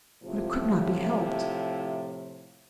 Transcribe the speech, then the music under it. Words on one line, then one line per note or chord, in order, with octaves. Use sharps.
But it could not be helped.
A2 C3 F3